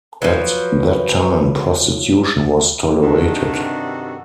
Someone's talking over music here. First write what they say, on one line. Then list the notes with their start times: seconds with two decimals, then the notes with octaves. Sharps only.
At that time prostitution was tolerated.
0.22 F3 F#3 B4
3.01 G2 C3 D#3 D4 F#4 A4